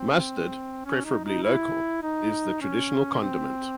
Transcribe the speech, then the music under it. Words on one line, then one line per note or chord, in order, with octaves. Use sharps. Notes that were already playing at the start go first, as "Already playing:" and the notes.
Mustard, preferably local, is the traditional condiment.
Already playing: C4
C#4
D#4
D#4
E4
D#4
C#4
C4